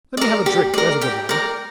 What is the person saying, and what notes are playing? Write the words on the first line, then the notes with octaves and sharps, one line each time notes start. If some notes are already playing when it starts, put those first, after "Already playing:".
Let me have a drink, there's a good man.
A#4 D5
G4
A#4 D5
G4 G5
A#4 D5